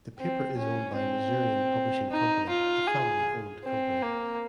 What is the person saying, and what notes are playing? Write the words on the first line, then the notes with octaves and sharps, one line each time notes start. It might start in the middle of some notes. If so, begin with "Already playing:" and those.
The paper is owned by Missourian Publishing Company, a family-owned company.
C4
C#4
C4
D#4
F4
G#4
C4
A#3